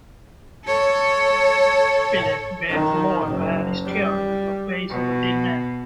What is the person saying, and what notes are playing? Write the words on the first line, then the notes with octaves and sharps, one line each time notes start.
Philip bent lower, and stared into the face of the dead man.
A4 C#5
D#3
F#1
G3
B2